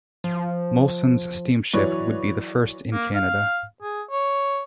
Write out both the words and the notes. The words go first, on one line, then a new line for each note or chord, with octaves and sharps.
Molson's steamship would be the first in Canada.
F3
E3 F#3 B4 C#5 D5
A#3
F5
G#4
C#5